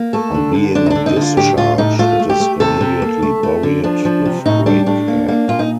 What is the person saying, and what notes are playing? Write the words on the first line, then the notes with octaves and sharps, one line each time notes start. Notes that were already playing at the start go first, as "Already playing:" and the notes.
On being discharged it is immediately buried with great care.
Already playing: A#3
A3 A4
D3
D3
D3 D4
D#4
D3 D4
D#4
D3
F4
A2 G4
A2 F4
A2 D#4
A3 F4
A3
G4
A3
C3 A4
C3
A#3
A3
A3
D3
F3 D4
F3
C3
A2 D#4
G3 D4
A2 D4
A#3
A#3
A#2 F4
D#4